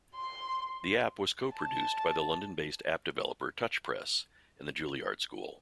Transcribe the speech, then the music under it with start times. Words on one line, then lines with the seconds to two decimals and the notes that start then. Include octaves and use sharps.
The app was co-produced by the London-based app developer Touchpress and The Juilliard School.
0.15 C6
1.54 A5